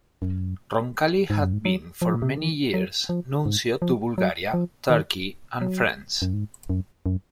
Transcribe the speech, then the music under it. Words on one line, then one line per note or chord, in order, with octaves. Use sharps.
Roncalli had been for many years Nuncio to Bulgaria, Turkey and France.
F#2
G#2
F#2
G#2
F#3
F3
A#2
C3
C#3
D#3
F#3
F3
G#2
F3
F#3
F3
D#3
F#3
F#2
G#2
F#2
F#2